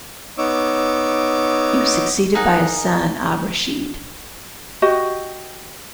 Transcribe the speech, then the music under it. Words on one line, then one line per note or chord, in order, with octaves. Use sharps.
He was succeeded by his son Al-Rashid.
B3 D#4 C#5 D6 E6
D#4 G#4 A#4 F#5
F#4 G4 D#5